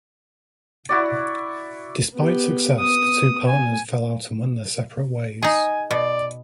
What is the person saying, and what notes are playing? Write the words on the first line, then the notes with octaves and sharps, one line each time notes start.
Despite success the two partners fell out and went their separate ways.
E4 F#4 D5
B3 G4
B3 D#6
G#5
D#4 G#4 G#5
B2 D5